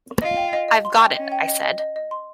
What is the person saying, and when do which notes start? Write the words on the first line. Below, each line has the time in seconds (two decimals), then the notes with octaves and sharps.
"I've got it," I said.
0.22 F4 D#5
0.37 G5
0.53 D#5
0.68 D#5
0.85 C6
1.00 G5
1.16 C#4 D#5
1.32 G5
1.48 D#5
1.64 D#5
1.79 D#5
1.96 D#5
2.11 C6